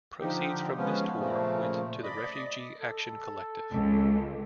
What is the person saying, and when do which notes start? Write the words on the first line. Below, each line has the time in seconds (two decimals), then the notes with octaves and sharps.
Proceeds from this tour went to the Refugee Action Collective.
0.21 D3 F3 D#4 G4
0.77 F3 G#3 B3 C#4
1.18 A#2 C#3 F3 A3
2.03 D5 D#5 B5
2.81 A4
3.71 C#2